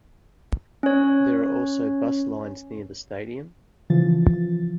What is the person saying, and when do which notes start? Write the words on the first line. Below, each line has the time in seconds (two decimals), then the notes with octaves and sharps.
There are also bus lines near the stadium.
0.83 C#4 C#5
3.90 C#3 E3 F3 F4 A6